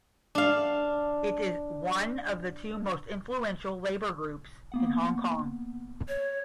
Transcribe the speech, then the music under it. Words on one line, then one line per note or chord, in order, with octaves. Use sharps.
It is one of the two most influential labour groups in Hong Kong.
D4 F5
A#3 B3 F#5
C#5